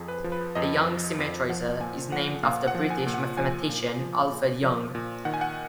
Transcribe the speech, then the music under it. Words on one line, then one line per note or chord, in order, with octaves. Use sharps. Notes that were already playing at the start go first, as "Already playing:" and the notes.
The Young symmetrizer is named after British mathematician Alfred Young.
Already playing: F2 F3 G#4
B4
F3
B4
F2 D#5
F3
F2
F3 F#5
A#2 G#5
F3 F#5
A#2 F5
F#5
F3
G#5
A#2
F#5
F3 G#5
A#2
F3
A#2
F3
A#2
D#3 F#5
G#5
F#5